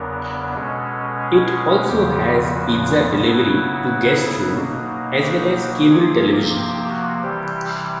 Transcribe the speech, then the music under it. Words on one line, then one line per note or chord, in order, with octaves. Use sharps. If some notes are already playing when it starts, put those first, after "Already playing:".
It also has pizza delivery to guests' rooms as well as cable television.
Already playing: E2 C#3 F#3 B3 D4 A#4
B2 G#3 C#4 A4
G#4
E2 C#3 F3 G4
F#4
C#3 F#3 B3 E4 F#4
B2 F#3 A#3 D#4
G4
C3 F3 A#3 G#4
G4
F#4
C3 E3 G3 G4